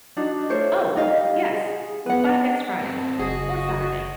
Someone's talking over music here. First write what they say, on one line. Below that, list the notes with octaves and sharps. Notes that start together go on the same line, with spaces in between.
Oh yes, by next Friday or Saturday.
D4 D#4 F#4
A3 A#4 C5 C#5
G3 D#4 D#5 F5
G#4
B3 B4 F#5
G2 C4
F#1 F#4 G#4 D#5